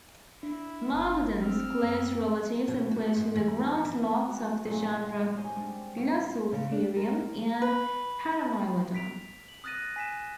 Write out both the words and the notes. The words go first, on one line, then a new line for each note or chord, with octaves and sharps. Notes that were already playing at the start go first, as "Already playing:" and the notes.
"Mylodon"'s close relatives include the ground sloths of the genera "Glossotherium" and "Paramylodon".
D4 E4
G1 F4
C4 F6
F#2
B2
F#4
G#2
E2
E3
G#3 F#4
G2 A#2 E3 G3 G#3 C#4
C#4 D#4 G4 C5 G#5
G3 G#3 C4 D4
B2
C#3
D4
A#4
B4
B6 D7 F7
F#7
D#6 F6 F#6 A6 A#6 D#7
G#5 B6 E7